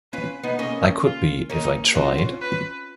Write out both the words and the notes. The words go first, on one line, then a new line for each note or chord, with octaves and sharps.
I could be, if I tried.
C#4 F4 B4
B3 D#4
A#3 C#4 D#5
F4
A#3 C#4 D#4
C#4 F4 F#4
C#4 F4
B4